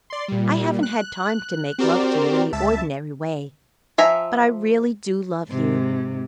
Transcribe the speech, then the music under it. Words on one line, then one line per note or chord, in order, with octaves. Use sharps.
I haven't had time to make love to you in the ordinary way, but I really do love you.
D5 C6
A#2 G3
F#6
C4 F#4 G4 A#4 C5 D5
C#2 E5 A5
F3 E5 G#5 A#5
G#2 C3